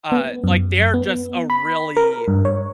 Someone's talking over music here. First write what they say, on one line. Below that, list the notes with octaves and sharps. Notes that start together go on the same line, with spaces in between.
uh, like, they're just a really
B3
F#2
B3
B5
A#4
G2
C#5